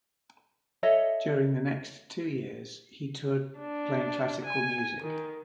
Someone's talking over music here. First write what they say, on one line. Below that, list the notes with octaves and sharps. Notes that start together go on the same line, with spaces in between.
During the next two years, he toured playing classical music.
A4 C#5 D#5 E5
D4
G#5
D#3